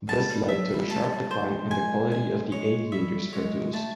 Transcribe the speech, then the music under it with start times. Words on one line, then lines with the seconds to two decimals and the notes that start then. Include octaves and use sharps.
This led to a sharp decline in the quality of the aviators produced.
0.08 G3 A5
0.29 G3
0.48 F#3 E5
0.69 G3
0.90 A3 A5
1.00 G#3
1.11 G3
1.23 G#3
1.31 C5
1.71 G#5
2.12 G#5
2.52 G#3 C#5
2.92 G3 E5
3.27 G3
3.33 G#3 C#5
3.73 A3 A5